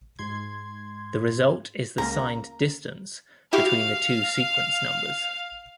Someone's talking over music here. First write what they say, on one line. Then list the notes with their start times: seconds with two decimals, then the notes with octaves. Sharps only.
The result is the signed "distance" between the two sequence numbers.
0.19 G#2 C6 G#6
1.98 C#2 A#3 A#5
3.53 E4 F#4 G4 F5